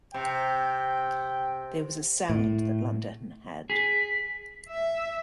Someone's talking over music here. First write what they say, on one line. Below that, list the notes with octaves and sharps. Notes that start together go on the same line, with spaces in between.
There was a sound that London had.
C3 G5
A2
G#4 B6
E5